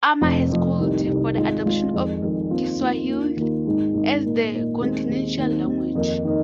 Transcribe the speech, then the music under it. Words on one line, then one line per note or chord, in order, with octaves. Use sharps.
Armah has called for the adoption of Kiswahili as the continental language.
F1 F2 F3 C4
F1 F2 F3 C4
C2 C3 D#3
C2 C3 D#3
G#1 G#2 G#3 F4
G#1 G#2 G#3 F4
F2 D#3 G#3
F2 D#3 G#3
D#2 D#3 C4 F4
D#2 D#3 C4 F4
D#2 D#3 A#3 F4
D#2 D#3 A#3 F4
G#1 G#2 D#3 G#3 D#4
G#1 G#2 D#3 G#3 D#4
A#2 A#3 D#4
A#2 A#3 D#4
D#2 D#3 G#3 C4
D#2 D#3 G#3 C4
D#2 D#3 C4
D#2 D#3 C4
F2 D#3 A#3 D#4
D#3 A#3 D#4